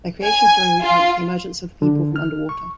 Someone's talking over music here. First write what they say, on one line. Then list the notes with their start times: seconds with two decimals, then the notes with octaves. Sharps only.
Their creation story recounts the emergence of the people from underwater.
0.24 G#5
0.81 F4
1.82 D3
2.16 F6
2.49 C#6